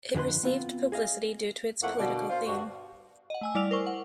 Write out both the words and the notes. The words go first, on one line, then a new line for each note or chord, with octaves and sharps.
It received publicity due to its political theme.
F2 D3 G#4 B4 C6
B3 C4 F4
G#4 D#5 F5
F2 A3 A#3 E4 F#5
B2 D3 A#3 F#4 D5
F4 C5
G2 D4 F#4
D#5 F#5
A3 G#5 E6
G3 E4 D5 E6 F6 F7
A#4 C5 C#6
F#5